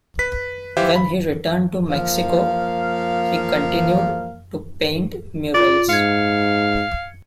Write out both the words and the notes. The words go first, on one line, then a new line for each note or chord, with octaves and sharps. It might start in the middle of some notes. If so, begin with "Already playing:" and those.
When he returned to Mexico, he continued to paint murals.
B4 B6
E3 G4 C5 E5 F5
B5
F3 A#3 F5
F4 D5
G#2 F5 G#6 C#7